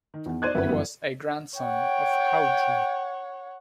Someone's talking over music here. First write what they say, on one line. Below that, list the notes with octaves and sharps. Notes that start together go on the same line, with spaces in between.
He was a grandson of Houtu.
D#3
E2
D#4 C5 D5 F#6 G#6 D#7
G1 F#2 B3 C4 B4 E5
E3 G3 B3
C#5 F#5 G5